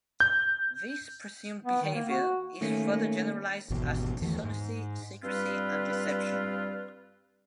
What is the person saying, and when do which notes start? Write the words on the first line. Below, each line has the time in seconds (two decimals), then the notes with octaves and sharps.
This presumed behavior is further generalized as dishonesty, secrecy, and deception.
0.20 G6
1.65 B3
1.82 D#3
1.94 A#3
2.09 F#4
2.61 D#3 A3 A#3 C#4
3.70 G#1 E2 B2
4.21 E2 D#3 E3 A3
4.44 G#2
5.23 G2 G3 C4 F4 B4